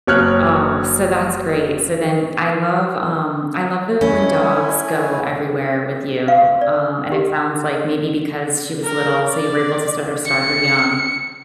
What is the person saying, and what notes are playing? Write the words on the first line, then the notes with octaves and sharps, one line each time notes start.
Aw, so that's great. So then, I love, um, I love it when dogs go everywhere with you, um, and it sounds like maybe because she was little, so you were able to sorta start her young.
F#1 C#5 F6 F#6
A3 C#4 E4 G#5
F5
D5
G4
A#4
D5
C#7